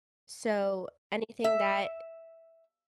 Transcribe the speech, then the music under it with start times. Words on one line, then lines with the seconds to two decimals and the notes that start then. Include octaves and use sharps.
so anything that
1.44 E5